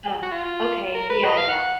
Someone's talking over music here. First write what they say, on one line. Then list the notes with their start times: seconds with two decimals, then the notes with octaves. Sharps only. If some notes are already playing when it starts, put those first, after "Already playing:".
Oh, okay, yeah, yeah,
0.23 F#4
0.32 F4
0.94 A#4
1.10 B4
1.25 D#5
1.38 F5
1.49 F#5